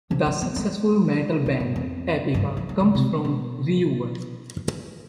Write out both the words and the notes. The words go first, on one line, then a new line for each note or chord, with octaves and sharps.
The successful metal band Epica comes from Reuver.
F3
G#3
B3
G#3
D#3
G2
F2
G2
F3
G3
D3
C3
B2